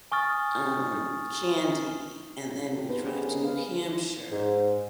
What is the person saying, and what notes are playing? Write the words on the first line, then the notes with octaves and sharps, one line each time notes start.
um, candy, and then we'd drive to New Hampshire,
G#5 C#6 D#6 F6 A6
G4 A4
B3 D#4 G#4 B4 C5
C#4 D4 G4 G#4 B4
G#4 A#4
B3 B4 F5
G#2